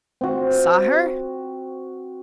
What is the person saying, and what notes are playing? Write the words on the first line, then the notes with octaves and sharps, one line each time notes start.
"Saw her?"
C4 F#4